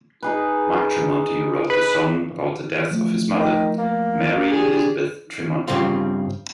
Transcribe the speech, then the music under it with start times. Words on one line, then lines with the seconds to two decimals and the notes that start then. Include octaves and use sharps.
Mark Tremonti wrote the song about the death of his mother, Mary Elizabeth Tremonti.
0.22 D#4 G#4 B4
1.70 B4
2.91 F3 A3
3.39 D#3
3.79 A#3
4.48 D4 G4 G#4
5.68 G2 A#2 C#3 G3 C4 F4